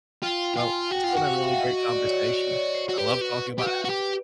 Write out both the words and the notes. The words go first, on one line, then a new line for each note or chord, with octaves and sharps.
Well, it's been a really great conversation. I love talking about animals,
F4 G5
F4 G#5
F#4 G5
F4 F#5
F#4
F5
F5
E5
D#5
D#5
D5
C#5
D5
C#5
C5
F#4
G4 B4
F#4
G4
F#4
F#4
G4